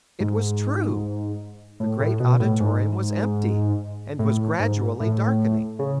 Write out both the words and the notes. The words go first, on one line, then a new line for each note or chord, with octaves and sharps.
It was true--the great auditorium was empty, and was gradually darkening.
G#2
A2
A2
B2
A2
G#2
A2
G#2
A2
C#3